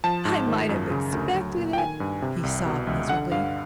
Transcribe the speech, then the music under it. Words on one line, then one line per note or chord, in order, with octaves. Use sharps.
"I might have expected it," he sobbed, miserably.
F3 A5
G#2
D#3
F#2
C#3
D2
F#3
A#2
G5
D#3 G#5
G2
C3
C2
B2
C#2
D3 F#5
G2 F5